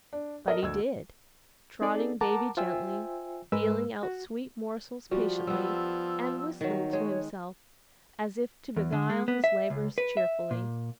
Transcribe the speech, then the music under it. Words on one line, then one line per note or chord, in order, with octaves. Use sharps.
But he did, trotting baby gently, dealing out sweet morsels patiently, and whistling to himself, as if to beguile his labors cheerfully.
D4
A4 A#4 D#5
D2 E6 G#6
C4 D#4 G#4 A4 D5
A#4 F#5 A5 A#5 D6
F4 C5 E5 G5 G#5 E6
G#2 G#3 A#4 B4 E6
F#4
F3 G3 F#4
G3 B3 E6
D#3 F#3
G#3 C#5
E2
D3
G#3
B3
E5
C#2
B4
E5
A#2